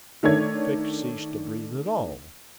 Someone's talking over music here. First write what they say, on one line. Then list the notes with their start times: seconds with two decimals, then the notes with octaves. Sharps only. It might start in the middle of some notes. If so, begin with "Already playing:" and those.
Fix ceased to breathe at all.
0.23 D#3 A3 D4 C#5 G#6